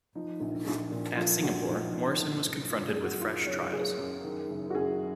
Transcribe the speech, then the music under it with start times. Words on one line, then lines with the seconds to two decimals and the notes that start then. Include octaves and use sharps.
At Singapore, Morrison was confronted with fresh trials.
0.15 F3 D#4
0.40 A#1
0.67 A#1
0.92 A#2
1.17 F3 F4
1.42 A#1 F#4
1.68 A#1 D#4
1.93 A#2
2.20 D#3
2.45 F#1
2.70 F#1 F4
2.88 G#4
2.96 F#2
3.04 F#4
3.21 D#3 F4
3.47 F#1 C#5
3.73 F#1 G#4
3.98 F#2
4.24 D#3
4.49 F#1
4.70 F#4
4.75 F#1 G#4